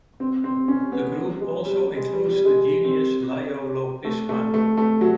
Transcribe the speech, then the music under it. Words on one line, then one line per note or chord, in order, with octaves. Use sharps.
The group also includes the genus "Leiolopisma".
C4
C4
C#4
B3
G#3
G3
G3
G#3
G3
G3
G#3
C4
A3
A3
A3
A3
F#3